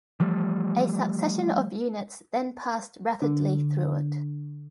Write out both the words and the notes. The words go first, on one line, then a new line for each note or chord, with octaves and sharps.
A succession of units then passed rapidly through it.
E3 F3 G3 A3
D3